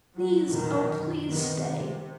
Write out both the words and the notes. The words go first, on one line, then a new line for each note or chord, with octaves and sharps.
Please, oh! please stay.'
F#3
F2 B2 D#3
F#2
C3 D#3 B3
C3